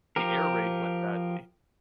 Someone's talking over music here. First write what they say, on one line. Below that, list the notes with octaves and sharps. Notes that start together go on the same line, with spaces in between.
The air raid went badly.
F3 G4 A#4